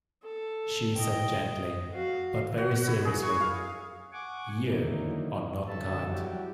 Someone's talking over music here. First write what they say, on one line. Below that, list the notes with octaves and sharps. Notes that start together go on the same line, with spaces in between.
She said gently, but very seriously, "you are not kind."
A4
D#5 G5
F#4 F5
F#4
F#4
E4
G#4
C#6
F5
F#5 G#5 C#6 D6
D3 D#3 F#3 A#3 D#4 E4
F#2 D3 F#3 A4 E5 A5
F#3 G3 E4 F#4 G4